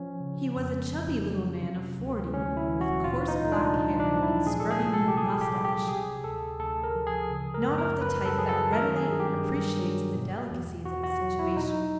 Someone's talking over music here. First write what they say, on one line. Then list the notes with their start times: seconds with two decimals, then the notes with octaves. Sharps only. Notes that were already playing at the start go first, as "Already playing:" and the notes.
He was a chubby little man of forty, with coarse black hair and scrubby moustache, not of the type that readily appreciates the delicacies of a situation.
Already playing: F3 C#4
0.20 C#3
0.56 F2
0.91 F2
1.27 F#3
1.62 C3
1.98 D2
2.33 D2 C#4
2.57 E4
2.69 E3
2.81 F#4
3.04 A#2 F4
3.28 D#4
3.40 C2
3.52 D4
3.76 C2
4.00 D4
4.11 F3
4.23 E4
4.46 A#2 G#4
4.60 A4
4.71 G#4
4.82 C2
4.94 A4
5.08 G4
5.17 C2 G#4
5.41 G4
5.53 F#3
5.65 G4
5.88 C3 G#4
6.24 D2 A4
6.59 D2 A4
6.83 A#4
6.95 F3
7.07 G#4
7.31 C#3
7.54 A#4
7.66 F#2
7.78 A#4
8.01 F#2 B4
8.25 A4
8.37 F#3 G#4
8.49 A4
8.73 D#3 A#4
8.96 G#4
9.08 G2
9.20 G4
9.44 G2
9.79 F#3
10.15 B2
10.50 E2
10.85 E2 F#4
11.03 F#4
11.21 F#3
11.39 E4
11.57 B2 D#4